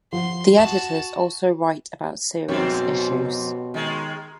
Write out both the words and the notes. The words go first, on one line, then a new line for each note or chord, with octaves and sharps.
The editors also write about serious issues.
F3 F#5 C6
F#4 A5 E7
F2 G#2 B2 C4 F#4 G4 C#5
D#3 G#3